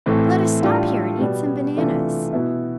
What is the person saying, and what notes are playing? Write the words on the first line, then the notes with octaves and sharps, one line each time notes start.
Let us stop here and eat some bananas.
A2 E3 A3 C4
A2 G3 D4 F4 A4
B2 G3 B3
C3 E3 A3 D4 F4
B2 B3 E4